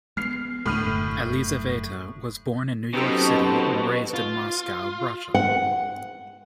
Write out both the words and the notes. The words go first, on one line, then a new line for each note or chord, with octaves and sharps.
Elizaveta was born in New York City and raised in Moscow, Russia.
G#3 A#3 B3 F6 C7
D2 A2 D3 F6 D#7
F1 F#2 A3
B2 F#3 C4 C#4 D#4 G4 A4
F4
F#5